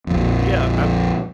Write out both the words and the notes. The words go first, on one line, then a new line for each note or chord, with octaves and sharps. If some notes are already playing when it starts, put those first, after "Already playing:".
yeah, I
A#1 F2